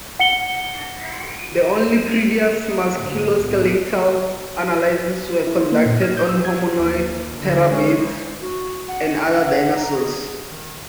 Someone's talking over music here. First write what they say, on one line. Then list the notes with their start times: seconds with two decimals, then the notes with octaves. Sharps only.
The only previous musculoskeletal analysises were conducted on homonoids, terror birds, and other dinosaurs.
0.19 F#5 C#7 G7
2.96 G#2 D3 F#3 A#3 C4
3.36 C2 A2 G#3 B3
5.47 E4
5.61 C5
5.72 A#3
5.86 A#2
6.02 F6
6.17 G6
6.29 E6
6.45 G#6
6.77 D#2
7.38 D3
7.69 G#3 C#4
8.41 F#4
8.89 F#5
9.75 A#5
9.95 G#4
10.48 D#3